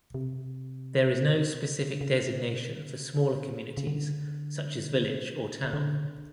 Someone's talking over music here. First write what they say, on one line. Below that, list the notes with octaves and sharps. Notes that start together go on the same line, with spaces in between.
There is no specific designation for smaller communities such as "village" or "town".
C3
C#3
C#3
D3
C#3
D3